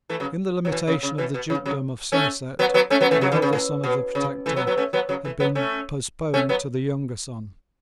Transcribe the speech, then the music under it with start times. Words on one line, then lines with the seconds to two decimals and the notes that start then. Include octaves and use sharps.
In the limitation of the dukedom of Somerset, the elder Son of the Protector had been postponed to the younger son.
0.09 E3 A3
0.20 C#3 F#3
0.65 F#3
0.72 B2 E3
0.87 C#3
1.03 C#3
1.18 B2 E3
1.34 B2
1.50 C#3
1.66 C#3 F#3
2.12 A3 C#4
2.59 F#3 B3
2.74 F#3 B3
2.90 A3 C#4
3.01 F#3 B3
3.11 E3 A3
3.21 C#3 F#3
3.32 B2 E3
3.42 C#3
3.53 A2
3.83 B2
4.15 C#3
4.46 E3 A3
4.56 F#3 B3
4.67 F#3 B3
4.77 A3 C#4
4.93 F#3 B3
5.09 C#3 F#3
5.24 E3 A3
5.40 F#3 B3
5.55 A3 C#4
6.34 A3 C#4
6.49 F#3 B3